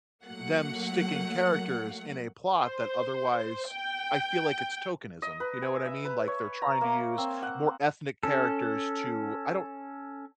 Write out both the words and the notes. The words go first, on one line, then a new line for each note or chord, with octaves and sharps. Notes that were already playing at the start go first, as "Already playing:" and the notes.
them sticking characters in a plot that otherwise I feel like it's tokenism. You know what I mean? Like, they're trying to use more ethnic characters to I don't
F#3 A3 A#3 F#5
C5
G5
D#5
B4
G#5
E5
B4
C#5
A#5
A#3
C4
F#5
C#4 A4